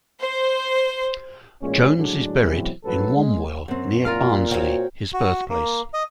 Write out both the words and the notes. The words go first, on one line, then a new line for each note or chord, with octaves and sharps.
Jones is buried in Wombwell near Barnsley, his birthplace.
C5
A1 A#2 G#3 C#4
A2 D3 F#3 G#3 D4
B2 E3 F#3 G#3 C4
A#1 F#2 A2 F#3 A4 B4
G#3
F#2 C4
A#2 F4 A#4 F5
C4 F#4 C#5 G5
F#4
A#3
D#5